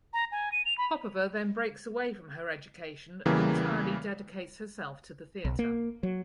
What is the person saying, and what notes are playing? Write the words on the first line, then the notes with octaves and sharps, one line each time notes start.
Popova then breaks away from her education and entirely dedicates herself to the theater.
A#5
G#5
D#7
F7
B5
E2 C#3 E3 G3 A#3
B1
A#3
F#3